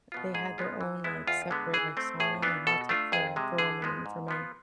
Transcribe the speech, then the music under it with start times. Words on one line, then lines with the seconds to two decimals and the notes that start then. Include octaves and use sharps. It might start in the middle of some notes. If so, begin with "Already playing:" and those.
they had their own, like, separate, like, sauna and hot tub for for women and for men.
0.12 B2 B3 F4
0.34 G#2 G#4
0.58 F3 G#3 B3 F4
0.81 E3
1.04 G#3 B3 E4
1.27 E2 F4
1.50 D3 G#3 B3
1.74 E3 G#4
1.97 A3 C4
2.20 A2 G#4
2.43 E3 B3 D4 F4
2.67 B2 A4
2.89 A3 D4 F4
3.12 F2 G#4
3.36 C3 G#3
3.58 D3 G#4
3.82 F3 G#3 B3
4.06 G#2
4.28 F3 B3 F4